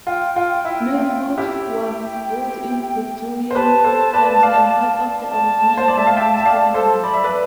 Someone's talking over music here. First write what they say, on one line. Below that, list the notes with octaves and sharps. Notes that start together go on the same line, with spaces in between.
Millfield was built in Victorian times and part of the original building still remains.
F4 G5
F4
E4
F4
E4 G4
G5
C5
G4 B4 A5
A4 C5
B4 D5
D5 F5
A5
C5
D5
E5
F5
E5 G5
E5
D5 F5
A4 C5
D5 B5
E5
B4 D5